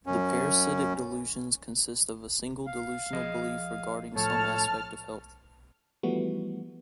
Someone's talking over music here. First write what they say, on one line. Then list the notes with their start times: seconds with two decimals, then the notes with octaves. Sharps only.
The parasitic delusions consist of a single delusional belief regarding some aspect of health.
0.06 F#2 C#4
2.67 F5
3.13 F3 G#4 D#5
4.16 A2 F3 A4 C#5 A5 F6
6.03 E3 F3 G3 A3 B3 F#4